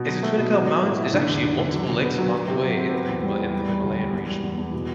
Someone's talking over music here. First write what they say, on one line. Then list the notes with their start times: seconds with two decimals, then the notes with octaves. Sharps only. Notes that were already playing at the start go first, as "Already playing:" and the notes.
It's between a couple of mountains. There's actually multiple lakes along the way in the Himal in the Himalayan region.
Already playing: B2
0.08 F#3
0.23 A3
0.38 B2
0.53 F#3
0.68 F#3
0.83 A2
0.98 E4
1.13 D3
1.28 E2
1.43 D3
1.58 D3
1.73 F#3
1.88 B2
2.03 B3
2.18 F#3
2.33 F#3
2.48 C3
2.63 F#3
2.78 C4
2.93 B3
3.09 E2
3.23 G3
3.38 E2
3.54 G3
3.68 G3
3.83 D2
3.98 G3
4.13 E2
4.29 G3
4.43 E2
4.58 E2
4.73 B2